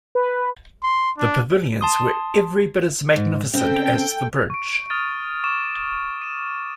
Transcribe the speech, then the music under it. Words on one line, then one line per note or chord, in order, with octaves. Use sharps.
The pavilions were every bit as magnificent as the bridge.
B4
C6
D4
A5 C6 D#6
G#2
C#3 C4 A4 G5
C#6 D7
D#6 F6 A6 D#7
C#6 D6 E7
D#7 E7